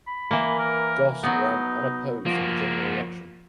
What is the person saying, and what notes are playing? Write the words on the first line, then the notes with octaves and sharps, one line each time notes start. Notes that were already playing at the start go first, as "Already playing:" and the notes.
Goss ran unopposed in the general election.
B5
E3 A#3
A#4
F#3 B3 D#4
F3 A#3 F#4